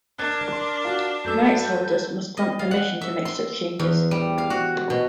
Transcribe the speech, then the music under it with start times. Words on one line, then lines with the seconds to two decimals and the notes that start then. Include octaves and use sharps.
Rights-holders must grant permission to make such changes.
0.19 D4 A#4 F#6 G#6 A6
0.52 C6
0.85 F4 F#4
1.24 F#2 A3 A4 B4 E6 G6
2.37 D#5
2.59 F5
2.71 F#5
3.01 E5
3.25 C6
3.79 E2
4.11 G3
4.38 F5
4.50 F#4
4.90 B2